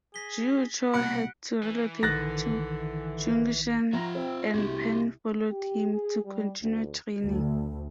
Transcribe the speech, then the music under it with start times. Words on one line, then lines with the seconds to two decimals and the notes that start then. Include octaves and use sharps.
Jiu Chow had to relocate to Chungshan, and Pan followed him to continue training.
0.14 G#4 A#6 B6 G7
0.94 C2 B2 F#5 B5 F#6 C#7 D7
1.63 E3
2.03 A#1 D3 D#3 F#6 A6 A#6
3.93 F3 C4 F4 E5 F#5 A#5
4.15 C4 C5
4.54 C2 C3 G#3 A3 E4 F#4 G4
5.49 G4
5.93 G#4
6.23 G3
6.61 D2
7.23 D2